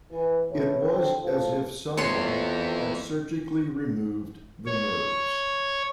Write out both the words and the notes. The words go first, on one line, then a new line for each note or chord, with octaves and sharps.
It was as if someone had surgically removed the nerves.
E3
E2 A2
D3 C4
A2 F3
F2 B3 E4 C#5 C6
C#5